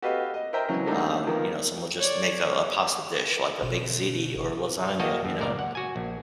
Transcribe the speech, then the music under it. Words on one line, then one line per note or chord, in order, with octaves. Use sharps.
um you know, some will just make a a pasta dish like a baked ziti or lasagna, you know?
F#4 G4 A4 B4 D#5 F5
D#5
A#4 C5 D#5 E5 G5 A#5
C#3 E3 F#3 G#3
G3 A3 A#3 C4 D4 D#4
D#3 F3 A#3 B3
C#5 D5
G1 B2
A#3 F#4 D#5 G5 A5
F#2
C#2 A#2 A#4 D5 A#5
F#5
F#4 G#5
A#1